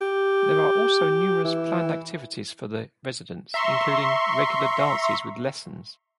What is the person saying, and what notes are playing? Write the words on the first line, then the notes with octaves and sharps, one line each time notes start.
There are also numerous planned activities for the residents, including regular dances with lessons.
G4
E3
E5 A#5 C6 C#6